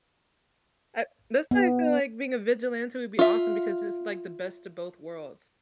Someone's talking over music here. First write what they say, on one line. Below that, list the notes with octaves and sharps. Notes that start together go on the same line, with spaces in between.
uh, that's why I feel like being a vigilante would be awesome because it's like the best of both worlds.
B3
F4 E5